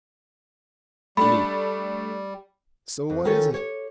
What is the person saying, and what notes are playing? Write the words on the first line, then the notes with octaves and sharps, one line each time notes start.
ME: So what is it?
G3 A3 D4 B5
F2
D#3 C#4 F4 A4 C#5
G4 C#5